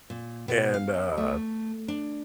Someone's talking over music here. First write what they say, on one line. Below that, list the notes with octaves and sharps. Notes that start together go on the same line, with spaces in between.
And, uh,
A#2
B2
F5
A3
D4